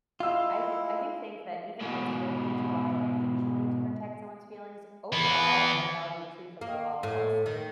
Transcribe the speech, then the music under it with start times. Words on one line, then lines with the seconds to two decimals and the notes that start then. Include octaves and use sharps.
I I do think that even though it's okay to lie occasionally to protect someone's feelings, overall, I value truth above all else,
0.20 G#3 E4 F4 F5 E6
1.81 G#2 B2
5.13 E3 B3
6.61 A#3
7.03 A2
7.46 D#3